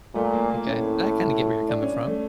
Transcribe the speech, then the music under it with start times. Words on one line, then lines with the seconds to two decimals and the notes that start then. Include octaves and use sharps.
M'kay, I kinda get where you're coming from.
0.15 A#2 A3
0.33 A#3
0.50 A#3
0.67 A2 C#4
1.69 D4
1.82 C#4
2.07 A3